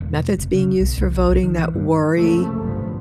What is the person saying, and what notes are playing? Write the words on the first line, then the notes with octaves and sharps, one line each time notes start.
methods being used for voting that worry
E1
F1
C#3
B1
C2
A#1
B1
D#3
E3
G2
C2 F#2 C#3 F3 A3 A#3
G1 C2 A2 F3 B3